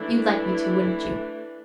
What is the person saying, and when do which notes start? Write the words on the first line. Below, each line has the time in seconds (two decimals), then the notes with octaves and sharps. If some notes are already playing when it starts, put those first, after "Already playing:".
You'd like me to, wouldn't you?'
Already playing: E3 A3 D4 E4
0.45 E4